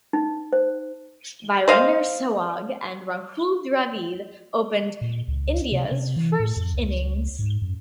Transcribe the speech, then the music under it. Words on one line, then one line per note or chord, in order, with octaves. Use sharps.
Virender Sehwag and Rahul Dravid opened India's first innings.
D#4
C5
C5 D#5 F5
A#2
C#2
C3
C3
E3
A2
F2
C#2
G#2
F#2